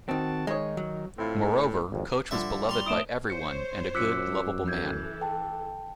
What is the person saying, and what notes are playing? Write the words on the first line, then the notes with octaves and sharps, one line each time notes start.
Moreover, Coach was beloved by everyone and a good "lovable man".
D#3 C4 F#4 A5
D#3 G#3 D#4 C#5
F#3
A2 C4 E4 F4
G#1 F2
G2 D3 F3 E5
G3 C6 F7 G7
A2 E4 D#6 D7 E7
C5 C#5 C#7
F#2 F4 D6 E6 F#6 B6 C#7
E3 A4 G6 G#6
G5 A5